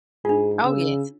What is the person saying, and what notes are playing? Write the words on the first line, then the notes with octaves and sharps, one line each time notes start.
Oh, yes.
G#2 D4 F4 G#4
C#3 E6